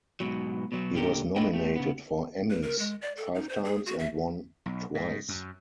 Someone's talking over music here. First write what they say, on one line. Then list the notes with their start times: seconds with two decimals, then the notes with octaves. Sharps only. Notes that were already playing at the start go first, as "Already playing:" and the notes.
He was nominated for Emmys five times and won twice.
0.20 G#2 B2 F#3
0.72 B2 F#3
0.94 A#2 D3 G4 A4 A#4
1.36 D4 E4 G#4 B4 D#5 G5
1.53 A3 G4
1.76 C#3 B3
2.50 B4
2.63 A#4
2.79 G#3
3.02 D5
3.17 A4
3.35 D#4
3.49 C5
3.64 G#4
3.86 F#4
3.99 E5
4.66 B1
4.95 G#2
5.29 F#2